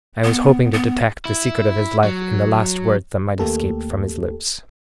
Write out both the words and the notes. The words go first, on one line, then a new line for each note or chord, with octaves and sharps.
I was hoping to detect the secret of his life in the last words that might escape from his lips!
B3
B3
E4
F#3
D#2 A3 A#3 G4 A4